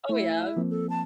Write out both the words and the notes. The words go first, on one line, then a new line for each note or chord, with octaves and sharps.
Oh, yeah.
A3 E4
F3 A#3 C4
A4
A5